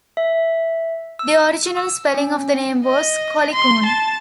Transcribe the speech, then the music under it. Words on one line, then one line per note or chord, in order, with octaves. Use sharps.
The original spelling of the name was Collikoon.
E5
E6
E6
C#4
D#5
C6
A5